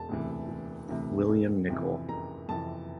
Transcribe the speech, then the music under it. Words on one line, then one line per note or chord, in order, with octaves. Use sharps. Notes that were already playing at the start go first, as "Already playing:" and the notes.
William Nicol.
Already playing: E1 A5
D2 C3 E3
E1
D2 C3 E3
F#1
F2 C3 E3
F#1 A#5
F2 C3 E3 A5